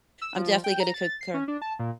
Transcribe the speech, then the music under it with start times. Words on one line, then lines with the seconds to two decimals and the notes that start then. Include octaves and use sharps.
I'm definitely gonna concur
0.22 E6
0.36 F3
0.64 G5
0.80 A#5
0.94 A6
1.21 C7
1.34 C#4
1.48 D4
1.62 A5
1.79 A#2